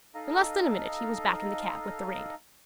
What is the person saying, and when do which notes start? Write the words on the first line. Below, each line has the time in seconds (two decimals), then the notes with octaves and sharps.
In less than a minute he was back in the cab with the ring.
0.15 D#4 A4 D#5 F5 A#5